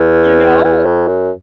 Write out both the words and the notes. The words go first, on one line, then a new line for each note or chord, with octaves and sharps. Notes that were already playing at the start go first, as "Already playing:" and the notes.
you know?
Already playing: E2
E2
F2
F#2